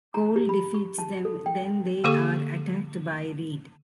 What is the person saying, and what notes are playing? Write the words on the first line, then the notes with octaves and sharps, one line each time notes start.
Cole defeats them, then they are attacked by Reed.
A#5
G4
B5
C#6
A5
A4
G5
D3 A#3 G4 A4 C#6